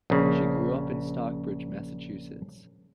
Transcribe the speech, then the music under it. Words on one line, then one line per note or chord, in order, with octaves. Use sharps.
She grew up in Stockbridge, Massachusetts.
A#1 C#3